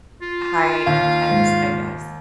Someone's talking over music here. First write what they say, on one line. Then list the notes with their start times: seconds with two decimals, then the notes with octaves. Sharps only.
high intense, I guess.
0.22 F4
0.87 D#2 F5
1.31 G#2